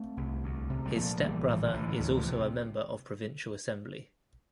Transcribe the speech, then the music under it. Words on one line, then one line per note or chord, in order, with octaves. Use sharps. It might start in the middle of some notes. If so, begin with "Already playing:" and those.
His step brother is also a member of provincial assembly.
Already playing: A3 C4
C2
D2
C3
G3
A#2 F3 A3
A#1 E3 G3
A2 E3 G3
D3 F3
A1
E3
D2 E3
D3 F3
C3